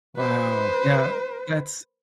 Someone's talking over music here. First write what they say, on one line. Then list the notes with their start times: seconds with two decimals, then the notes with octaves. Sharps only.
Wow, yeah, that's
0.16 B4 C5